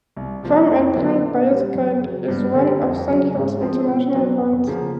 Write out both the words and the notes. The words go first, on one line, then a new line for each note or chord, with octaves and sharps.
"Farm and Plant Buyers Guide" is, one of Sandhills' international brands.
C2
C3 F3 A#3
F2
D3 F#3 B3 E4
A#2
G3 C4
F#2
C#3 F#3
G2
D3 G3 A#3
F2
C#3 F#3
G#2
F3 G#3 C4
B2
F#3 B3 D4
F2
C#3 F3 A#3